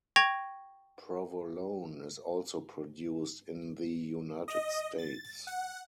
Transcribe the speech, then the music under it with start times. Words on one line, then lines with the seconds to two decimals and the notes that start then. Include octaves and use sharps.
Provolone is also produced in the United States.
0.16 G5 C#6 G#6 A#6 F7
4.48 D#5
4.98 A6
5.47 F#5